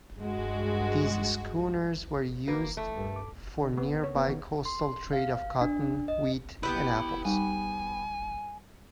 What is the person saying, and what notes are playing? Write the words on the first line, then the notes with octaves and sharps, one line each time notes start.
These schooners were used for nearby coastal trade of cotton, wheat and apples.
G2 G#3 F#4
E3 A#3 F#4 B4
A3 A4
G2 G3 A#3
D6
D3
B3
C#5
B3
D#3
C6
F5
D4
D#5
B3 E4 G4 B4
G3 D#4 G#5